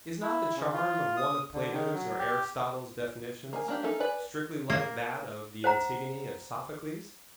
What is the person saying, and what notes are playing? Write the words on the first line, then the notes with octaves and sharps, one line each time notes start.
Is not the charm of one of Plato's or Aristotle's definitions, strictly like that of the Antigone of Sophocles?
E4
C#3
F4
D#6
D3
D#3
F#3
G4
A#3 D#5 G#5
A#3 D4 G4
C#4 D#4 A4 A#4 E5
B4 D5 G#5
A#3
C5 F#5 A#5